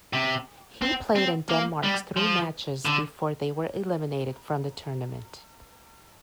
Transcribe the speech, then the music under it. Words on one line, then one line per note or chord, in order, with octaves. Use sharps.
He played in Denmark's three matches, before they were eliminated from the tournament.
C3
C4
C4
A#3
G3
F3
D3